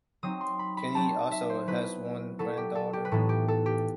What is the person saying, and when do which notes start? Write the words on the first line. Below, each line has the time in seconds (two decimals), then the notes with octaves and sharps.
Kenny also has one granddaughter.
0.23 F#3 C4 D#4 D#6
0.41 C6
0.59 B5
0.77 B5
0.95 F#3 C4 D#4 A5
1.31 E5
1.50 C5
1.67 F#3 B3 E4 B4
2.39 F#3 B3 E4 A4
2.58 G4
2.75 A4
2.93 G4
3.05 B4
3.12 A2 E3 B3 D#4 A4
3.29 G4
3.48 A4
3.66 G4